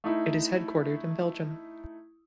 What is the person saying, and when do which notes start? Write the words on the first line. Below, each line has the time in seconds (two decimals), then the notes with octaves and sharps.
It is headquartered in Belgium.
0.04 A3 D#4 E4